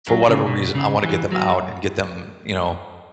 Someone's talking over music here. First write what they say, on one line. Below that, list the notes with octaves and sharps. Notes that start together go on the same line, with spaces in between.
for whatever reason, I wanna get them out and get them, you know,
F#3
C#3
B2
C#3
E3
F#3